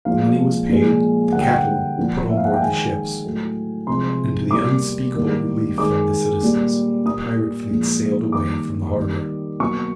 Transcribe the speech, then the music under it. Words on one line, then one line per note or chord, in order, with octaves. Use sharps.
The money was paid, the cattle were put on board the ships, and to the unspeakable relief of the citizens, the pirate fleet sailed away from the harbor.
A#2 F3 G#3 F5
A#2 F3 G#3
D3 G3 A#3 F#5
G5
F#5
A#2 F3 A#3
E5
F5
F#5
G5
D#3 G#3 G#5
A2 F#3 A3
C3 F3 G#3 C6
B2 G3 A#3 D6
D#3 G3 A#3
D#3 G#3 D6
A#2 G3 A#3
A#2 G3 A#3 D#6
A#2 F3 G#3
D#3 G3 A#3 D6
D#3 G3 A#3
B2 F#3 A#3 C#6